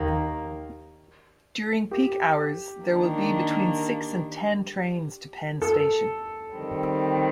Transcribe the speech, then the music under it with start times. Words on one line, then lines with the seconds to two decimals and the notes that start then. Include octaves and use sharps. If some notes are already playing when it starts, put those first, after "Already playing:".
During peak hours there will be between six and ten trains to Penn Station.
Already playing: D#2 D#3 A#3
1.91 G4
2.84 D#3 A#3 D4
5.62 A4
6.54 D#3 G3 C4